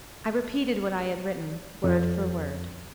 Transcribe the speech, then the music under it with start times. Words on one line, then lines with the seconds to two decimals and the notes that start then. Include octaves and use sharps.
I repeated what I had written, word for word.
1.84 F2